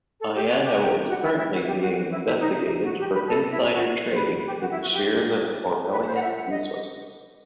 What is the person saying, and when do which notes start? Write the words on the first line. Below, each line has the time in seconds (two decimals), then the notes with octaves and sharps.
Ianno is currently being investigated for insider trading in the shares of Aurelian resources.
0.20 A4
0.35 G4
0.49 F#4
0.64 G4
0.73 F#4
0.81 G4
1.08 F#4
1.23 E4
1.37 E4
1.52 F#4
1.67 G4
1.81 F#4
1.96 F#4
2.11 E4
2.25 E4
2.40 D#4
2.84 F#4
2.99 G4
3.13 B4
3.28 A4
3.50 E4
3.72 F#4
4.11 C5
4.17 B4
4.46 G4
4.60 F#4
4.71 E4
4.82 F#4
4.93 G4
5.92 B4
6.07 C5
6.15 F#5
6.21 E5
6.36 F#5
6.51 D#5